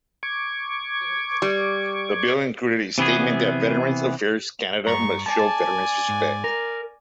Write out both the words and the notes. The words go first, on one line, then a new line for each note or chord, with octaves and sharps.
The bill included a statement that Veterans Affairs Canada must show veterans respect.
C#6 D6 G#6
G3
C3 E3 B3 G#4
G2 A#5 C#6
D5 G#5 A5
G#2
A#4